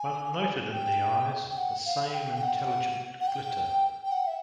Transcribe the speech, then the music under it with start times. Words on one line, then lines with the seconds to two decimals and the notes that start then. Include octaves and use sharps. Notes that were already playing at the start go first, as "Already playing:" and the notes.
One noted in the eyes the same intelligent glitter.
Already playing: G#5
0.73 G5
1.49 G5
1.57 F#5
1.86 F5
2.13 G5
2.36 G5
2.42 F#5
3.20 F#5
3.27 G5
4.05 G5
4.12 F#5
4.27 E5